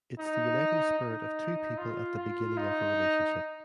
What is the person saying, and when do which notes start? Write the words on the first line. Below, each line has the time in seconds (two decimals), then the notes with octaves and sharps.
It's the uniting spirit of two people at the beginning of a relationship.
0.20 D#4
0.98 D#4
1.78 F4
2.17 F4
2.57 D#4